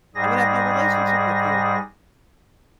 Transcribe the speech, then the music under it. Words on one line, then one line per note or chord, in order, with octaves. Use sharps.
I would have no relationship with you,
G#2 G3 G#4 A#6